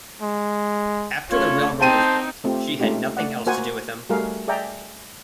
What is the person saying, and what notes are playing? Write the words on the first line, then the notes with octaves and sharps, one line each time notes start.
After the railroad was built, she had nothing else to do with him.
G#3
A3 C#4 F4 C#5
C4 D#4 C5 G5 A5 D#7
A3 C4 F4 G4
G#3 A3 C#4 D#4 F4 G4
A3 D5 F#5
A#3 F#4 A#4 C5 F#5 G#5
G3 A3 F#4 G#4 A#4 F5
G#4 D5 E5 G5 A#5